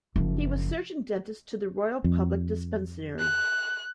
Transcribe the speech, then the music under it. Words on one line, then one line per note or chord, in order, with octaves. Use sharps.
He was surgeon dentist to the Royal Public Dispensary.
F#1 F3
F2
F#6